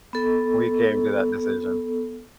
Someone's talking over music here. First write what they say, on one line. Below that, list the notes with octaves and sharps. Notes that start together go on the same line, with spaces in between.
we came to that decision.
B3 A4